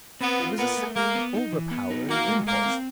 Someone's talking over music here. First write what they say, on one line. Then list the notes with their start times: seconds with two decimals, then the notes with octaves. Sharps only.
It was a sudden overpowering impulse.
0.21 B3 C4
0.40 F4
0.58 B3 A#4
0.77 A3
0.96 G#3 A#3
1.15 B3
1.34 D#4
1.52 E3
1.71 B3
1.90 D#4
2.09 A#3 F#4
2.28 G#3
2.47 A3 A#3
2.66 C4